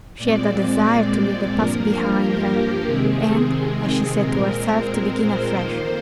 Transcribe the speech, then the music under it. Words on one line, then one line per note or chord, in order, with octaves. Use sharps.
She had a desire to leave the past behind her and, as she said to herself, to begin afresh.
A#2 G#3 C4 D5
G2 F3 A#3 A#4
G4
C3 D#3 G#3 C4 G#4
A#2 G#3 C4 A#4
A#4
C5
F2 D#3 A#3 C5